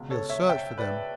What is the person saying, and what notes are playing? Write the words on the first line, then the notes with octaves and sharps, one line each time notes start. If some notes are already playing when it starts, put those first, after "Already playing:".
We'll search for them.
Already playing: C#2 B2
A4 C#5
C#5 E5
E5 G5
B4 D5